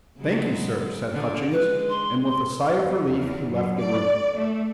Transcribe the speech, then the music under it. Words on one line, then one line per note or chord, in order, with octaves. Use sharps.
"Thank you, sir," said Hutchings, and with a sigh of relief he left the room.
C#3 F#3 G#3
D3
G#3 B4
C6
F2
E2
F#2
D5
A3